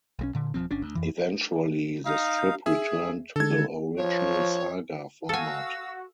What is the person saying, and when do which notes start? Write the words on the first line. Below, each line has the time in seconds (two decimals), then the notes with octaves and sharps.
Eventually, the strip returned to the original saga format.
0.19 B1 G3 C#4
0.35 A#2 D3
0.54 D#1 A#2 F3 C4
0.71 G1 C#4 D4
0.82 D2
0.95 F2 E3
2.06 D#4 F5
2.66 G#4 E5
3.36 D3 G#3 A4 G#6
3.97 F3 C#5
5.29 F#4 A4 F5 G#5 E6